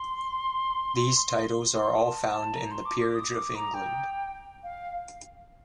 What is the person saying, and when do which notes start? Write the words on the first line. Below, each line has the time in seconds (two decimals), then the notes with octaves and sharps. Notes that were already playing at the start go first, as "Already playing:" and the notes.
These titles are all found in the Peerage of England.
Already playing: C6
1.37 C6
1.96 A5
2.26 A5
2.55 A#5
2.71 C6
2.86 D6
3.01 D6
3.15 D#6
3.35 D6
3.55 A#5
3.74 G5
4.63 F5